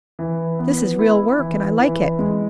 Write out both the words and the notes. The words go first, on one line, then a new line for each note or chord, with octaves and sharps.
This is real work, and I like it.
E3
B3
E4
E3
E3
G#3